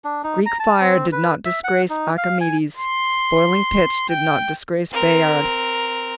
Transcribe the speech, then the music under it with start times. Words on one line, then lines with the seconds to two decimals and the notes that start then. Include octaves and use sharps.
Greek fire did not disgrace Archimedes, boiling pitch did not disgrace Bayard.
0.04 D4
0.24 D#4
0.46 A#5
0.60 A5
0.80 C4
1.12 B4
1.45 E5
1.64 F#5
1.90 D#4
2.18 F5
2.41 G#5
2.77 C6
4.09 G5
4.93 C4 A#4